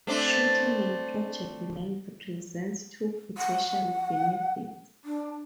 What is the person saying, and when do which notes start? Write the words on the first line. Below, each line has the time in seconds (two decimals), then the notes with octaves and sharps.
Shortening project length presents two potential benefits.
0.07 A3 C4 D4
3.38 F#5
5.05 D4